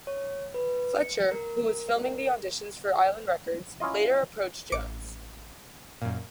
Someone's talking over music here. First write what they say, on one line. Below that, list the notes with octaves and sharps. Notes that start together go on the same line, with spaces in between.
Fletcher, who was filming the auditions for Island Records, later approached Jones.
C#5
B4
C#7
A#4
C#4 E4 F4 D#5
A1 D6 C#7 D7
F#2 A#2